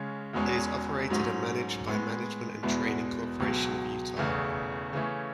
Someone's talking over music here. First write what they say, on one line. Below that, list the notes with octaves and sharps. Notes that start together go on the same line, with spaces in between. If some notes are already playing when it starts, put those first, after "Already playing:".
It is operated and managed by Management and Training Corporation of Utah.
Already playing: C#3 G#3 C#4
E1 E2 B2 G#3 C#4
G#2 F#3 A3 C#4
A2 G#3 B3
E2 B2 G#3 B3 E4
C#2 B2 F#3
E1 E2 C#3 E3 A3
C#3 E3 A3 C#4